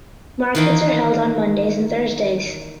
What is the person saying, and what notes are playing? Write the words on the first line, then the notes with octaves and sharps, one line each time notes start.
Markets are held on Mondays and Thursdays.
D#3 E3 A#3